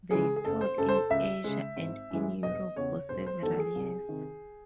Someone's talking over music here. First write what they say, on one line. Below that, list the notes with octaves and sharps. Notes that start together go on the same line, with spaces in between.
They toured in Asia and in Europe for several years.
C#3 E3 G#3 G#4
G#4
F#1 A4
C5
F#2 C#3 A4
C5
A4
C#2 E5
C#3 G#3
G#1
F#2 E3 G#3
E1 D#5
E2 C#3 C#5
E1 C5
C5
E2 D#3 F#3 A3 A4
G#4
C2
C3 D#3